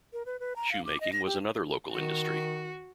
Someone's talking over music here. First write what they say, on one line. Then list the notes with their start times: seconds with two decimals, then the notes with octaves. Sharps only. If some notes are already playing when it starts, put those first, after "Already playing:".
Shoemaking was another local industry.
0.13 A#4
0.26 B4
0.40 B4
0.56 A#5
0.72 F5
0.85 D6
1.01 D#5
1.13 A#6
1.26 G4
1.91 D#3 F#4